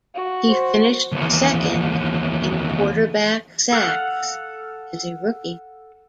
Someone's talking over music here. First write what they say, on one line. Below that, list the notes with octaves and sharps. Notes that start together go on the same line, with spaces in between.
He finished second in quarterback sacks as a rookie.
F#4
C5
D#2 E3
A4 F5 F#5